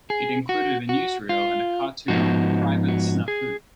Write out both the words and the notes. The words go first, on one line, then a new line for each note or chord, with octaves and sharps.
It included a newsreel and a cartoon of "Private Snafu".
G#4
F#4
F#4
F4
G#2 F3 B3 D#4 F#4
F#4
G#4